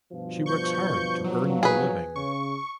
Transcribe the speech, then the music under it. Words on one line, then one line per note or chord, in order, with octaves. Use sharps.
She works hard to earn the living.
G2 B2 F3
C#6 G6 C#7
F#3
G#4 B4
C#3 C#6